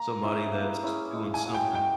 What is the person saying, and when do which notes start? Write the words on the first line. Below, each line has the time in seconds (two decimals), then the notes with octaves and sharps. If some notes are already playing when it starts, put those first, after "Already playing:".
somebody that's doing something
Already playing: A#3 A#5
0.21 C#4 E4 G#4
0.52 A#3
0.83 C#4 E4 G#4
1.14 G#3
1.34 G#5
1.44 C#4 F#4
1.54 G5
1.75 G#3 G5